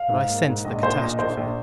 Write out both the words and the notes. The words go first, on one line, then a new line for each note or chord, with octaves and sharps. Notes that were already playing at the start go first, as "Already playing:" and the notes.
But I sensed the catastrophe.
Already playing: F5
G#2
A#3
G#2
A#1 D#5
A#1 C5
A#2 D#5
A#1 C5
A#1